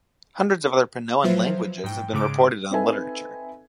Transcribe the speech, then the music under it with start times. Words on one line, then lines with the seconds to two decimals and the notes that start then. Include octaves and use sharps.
Hundreds of other Panoan "languages" have been reported in the literature.
1.24 F3 F#3 F4 B4 C5 E5
1.84 G#2 G5
2.13 G#2 C#3 D6 D7
2.71 C4 D#4 A4 B4 E5 G#5